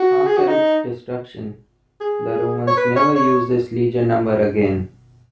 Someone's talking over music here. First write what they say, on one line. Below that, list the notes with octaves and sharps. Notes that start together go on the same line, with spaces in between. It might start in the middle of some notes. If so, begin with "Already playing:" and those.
After its destruction, the Romans never used this legion number again.
Already playing: F#4
G#4
F#4
D#4
G#4
C#5
B4
C#5
C#5